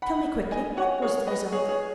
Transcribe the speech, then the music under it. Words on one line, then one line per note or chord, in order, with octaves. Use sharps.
"Tell me quickly--what was the result?"
F#5 B5
D#5 G#5
C#5 F#5
G#4 C#5
B4 D#5
G#4 C#5
G#4 C#5